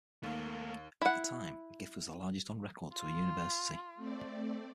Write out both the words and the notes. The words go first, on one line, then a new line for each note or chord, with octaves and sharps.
At the time, the gift was the largest on record to a university.
D#2 A3 A#3
E4 F#5
F4
A3 C4 D5